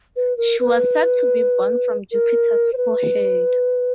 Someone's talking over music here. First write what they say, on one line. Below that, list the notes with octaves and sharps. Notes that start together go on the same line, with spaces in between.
She was said to be born from Jupiter's forehead.
B4
A#4
B4
A#4
C5
B4